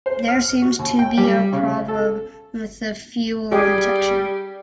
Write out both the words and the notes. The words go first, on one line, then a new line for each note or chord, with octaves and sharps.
There seems to be a problem with the fuel injection.
C5
F6
F#4
D#2
G5
G3
C#3
A4
G3 G4 G#4